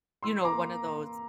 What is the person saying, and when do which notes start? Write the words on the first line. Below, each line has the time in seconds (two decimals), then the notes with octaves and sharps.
you know, one of those,
0.23 E3 C6 E6
0.44 A#5 D6
0.52 A#3